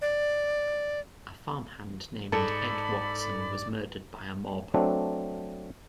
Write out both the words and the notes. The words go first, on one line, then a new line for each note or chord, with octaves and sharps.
A farmhand named Edd Watson was murdered by a mob.
D5
G#2 A4 D5 B5
F#3 A3 C4 D4